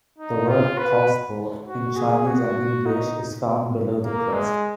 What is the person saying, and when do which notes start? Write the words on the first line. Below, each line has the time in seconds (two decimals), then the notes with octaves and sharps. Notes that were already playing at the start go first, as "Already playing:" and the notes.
The word "Passport" in Chinese and English is found below the crest.
0.18 D#4
0.48 F4
0.78 B4
1.68 F#4
1.96 G#4
2.27 F#4
2.86 D#4
4.04 A#3
4.33 G#3